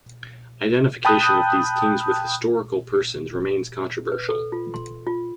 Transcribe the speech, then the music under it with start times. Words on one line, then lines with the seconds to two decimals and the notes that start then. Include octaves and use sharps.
Identification of these kings with historical persons remains controversial.
1.05 G5 A5 B5 D#6 F#6 G6
4.12 B4
4.29 A4
4.52 F4
4.74 C6
5.07 F4